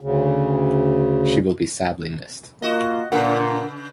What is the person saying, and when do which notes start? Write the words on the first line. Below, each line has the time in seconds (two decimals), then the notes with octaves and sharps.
She will be sadly missed.
0.01 D2 C#3
2.62 A#3 F4 F#4 D#5
3.12 A#2 C#3 D4 A#4 B4 F#5